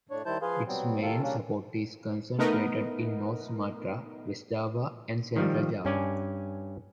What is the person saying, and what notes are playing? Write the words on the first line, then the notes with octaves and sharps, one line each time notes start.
Its main support is concentrated in North Sumatra, West Java and Central Java.
A2 D4 C#5
D#3 G3 E4 C5 A5 G6
F3 G#4 B4 F5 C6
F#3 G3 B3 C4
C3 D#3 A#3 C4 F4 A4
C#3 G3 A#3 C#4 D4
A3 B3 D#4 A#4 B4 D#5
D#3 F3 G3
G2 C#4 D5 G#5